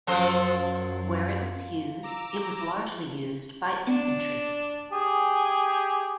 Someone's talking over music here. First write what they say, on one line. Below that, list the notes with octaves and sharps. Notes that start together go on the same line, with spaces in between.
Where it was used, it was largely used by infantry.
F#2 F3 F#3 A4 C5
A#5 D6 E6
D4
G4 G#4